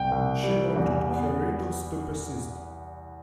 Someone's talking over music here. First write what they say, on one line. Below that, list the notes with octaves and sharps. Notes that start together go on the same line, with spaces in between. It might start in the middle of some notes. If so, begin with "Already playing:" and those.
She wanted her riddles to persist.
Already playing: C2 G5
C2
G3
E2
B3